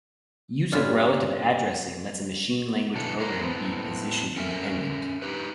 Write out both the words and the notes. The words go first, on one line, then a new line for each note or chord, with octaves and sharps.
Use of relative addressing lets a machine-language program be position-independent.
G2 B3 C#4 F4 B4
G2 B2 E3 D4 A4
A#4 C5 C#5
A2 B3 C4
C#4 A4 A#4 E5
D#4 G4 B4